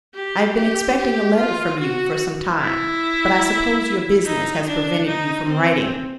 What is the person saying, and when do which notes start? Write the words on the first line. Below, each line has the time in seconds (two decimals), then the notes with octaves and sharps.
I have been expecting a letter from you for some time but I suppose your business has prevented you from writing.
0.14 G4
0.55 G4
0.97 G4
1.37 F4
1.79 F#4
2.61 E4
4.25 D#4
4.66 D4
5.07 D#4
5.48 C4